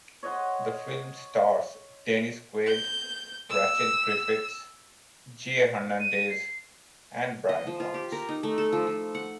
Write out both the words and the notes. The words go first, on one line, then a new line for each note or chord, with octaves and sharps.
The film stars Dennis Quaid, Rachel Griffiths, Jay Hernandez, and Brian Cox.
C#5 D#5 F#5 C6
G6
E6
D#7
C7
D#5
F3
F4
G4
A#4
D#4
A3
A4
F3
F3
F#5